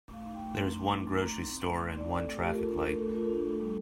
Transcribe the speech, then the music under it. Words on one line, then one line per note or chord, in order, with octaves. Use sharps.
There is one grocery store and one traffic light.
A3 F5
D#4
A3 G5
D#4 C6
A3 A#5
C6
D#4
A3 D6
C6
A3 A#5
D#4 C6
C4
A3
A3 C6
D#4
D5
C4
A3 A4
A3 G4
A#4
F4 A4
D4
A#4
A3
A3 A4
F4 A#4
D4 A4
A3
G3